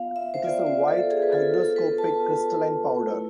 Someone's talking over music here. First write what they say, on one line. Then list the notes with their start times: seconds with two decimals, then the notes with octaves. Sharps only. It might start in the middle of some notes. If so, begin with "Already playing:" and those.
It is a white, hygroscopic crystalline powder.
Already playing: B3 F4 F5
0.16 E5
0.34 C5
0.44 B3 F4 D5
0.67 C5
0.88 A4
1.11 G#4
1.22 B4
1.33 B3 F4 A4
1.54 A4
1.76 B4
1.98 A5
2.20 B3 F4
3.08 A3 E4